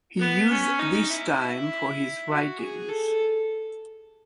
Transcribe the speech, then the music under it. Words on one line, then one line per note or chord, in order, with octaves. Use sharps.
He used this time for his writings.
B3
C#4
D#4
E4
F#4
G#4
A4